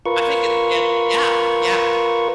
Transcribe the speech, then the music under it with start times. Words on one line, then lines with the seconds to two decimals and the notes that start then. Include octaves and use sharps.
I think it's stands Yeah, yeah.
0.06 F4 A#4 B4 C#6